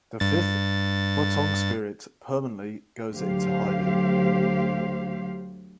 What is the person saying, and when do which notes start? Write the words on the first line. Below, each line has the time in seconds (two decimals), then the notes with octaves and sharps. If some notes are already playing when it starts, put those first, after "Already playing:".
The fifth Wutong spirit permanently goes into hiding.
0.20 G2 A6
3.13 D2 F#3 G4 C5 F5